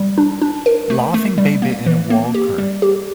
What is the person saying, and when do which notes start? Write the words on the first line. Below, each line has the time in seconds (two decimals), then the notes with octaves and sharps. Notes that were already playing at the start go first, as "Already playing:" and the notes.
A laughing baby in a walker.
Already playing: G3
0.18 D4
0.42 D4
0.66 A#4
0.90 A3
1.14 A3
1.38 G3
1.62 A#3
1.86 E3
2.10 A#3
2.34 G4
2.58 G3
2.82 G4